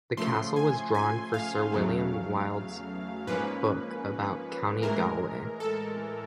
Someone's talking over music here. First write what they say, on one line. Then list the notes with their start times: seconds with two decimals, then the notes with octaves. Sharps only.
The castle was drawn for Sir William Wilde's book about County Galway.
0.17 C#3 F3 A3 C6
0.56 G#5
0.95 G#5
1.34 F5
1.72 E2 C#3 F#3 A3
3.27 G#2 F3 A#3 C#4 B4
4.82 A2 E3 G#3 A#4
5.60 A4